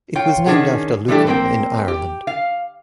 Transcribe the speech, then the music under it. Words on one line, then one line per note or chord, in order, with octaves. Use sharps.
It was named after Lucan, in Ireland.
F4 C#5 G5
D#3 C#4 D4 F4 G#4 F#5
E3 G3 A3 D4 G4 A4
A#3 C4 A#4 G5
G4
F5